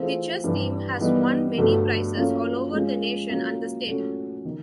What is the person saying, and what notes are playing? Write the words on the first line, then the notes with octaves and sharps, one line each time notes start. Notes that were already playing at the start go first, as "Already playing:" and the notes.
The Chess Team has won many prizes all over the nation and the state.
Already playing: E3 A3 C4 F4 G#4
G2 E3 G3
E3 G3 B3 D#4
G2 D3 F#3 A3
F#3 A#3 C#4 F4 A4
G#3 C#4 F4
A#2 F#3 A#3 C#4
A#2 F#3 A3 C#4 F#4
D#3